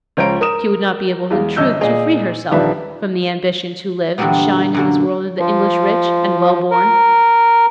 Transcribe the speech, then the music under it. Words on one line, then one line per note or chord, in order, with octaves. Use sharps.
She would not be able in truth to free herself from the ambition to live and shine in this world of the English rich and well born.
C#2 F3 C5 C#5 A#5 D7
A#4 D#6 E7
E2 G#3 F5
G1 D#5 E6 G6
A#2 G#4 D#5
D#1 D#3 F3 D4 B4 E5
A#2 D3 E3 G3 A#3 B3
F#2 D3 A#3
F3
A#4